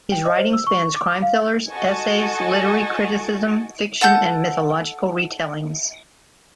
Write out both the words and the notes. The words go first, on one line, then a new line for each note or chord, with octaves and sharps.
His writing spans crime thrillers, essays, literary criticism, fiction and mythological retellings.
G5
D#5
C5
E6
C#6
D6
F5
F#4 A4 D#5 G#5 A5 C#6
A4 F#5 A5 G6